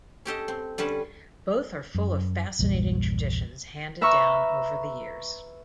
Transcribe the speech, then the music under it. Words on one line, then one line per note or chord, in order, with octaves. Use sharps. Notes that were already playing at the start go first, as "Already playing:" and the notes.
Both are full of fascinating traditions handed down over the years.
C#4 G4 A4 D#5
C4
D3 G3 C#4 B4 A5
F#2
A#1 E2 G2 G3
B4 E5 A#5 C#6 E6 F6